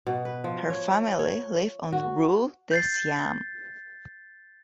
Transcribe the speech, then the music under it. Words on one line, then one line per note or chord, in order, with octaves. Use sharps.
Her family lived on rue de Siam.
B2
B4
F3
C#5
C#5
F#4
G6 A6 C7